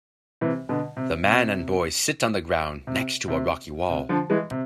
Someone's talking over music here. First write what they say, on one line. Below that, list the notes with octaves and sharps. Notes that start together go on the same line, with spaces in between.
The man and boy sit on the ground, next to a rocky wall.
C3 E3
B2 D3
C3
C3
C3
C3
C3
D3 F3
E3 G#3
C3